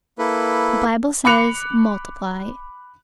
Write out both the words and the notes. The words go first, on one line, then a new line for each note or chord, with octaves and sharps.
The Bible says: Multiply.
A#3 E4 A4 B4
B5 D6 F#6 C#7 F7